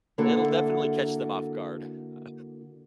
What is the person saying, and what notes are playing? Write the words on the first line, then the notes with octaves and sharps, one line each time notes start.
It'll definitely catch them off guard, uh
D3 A#3 E4 F#4 A4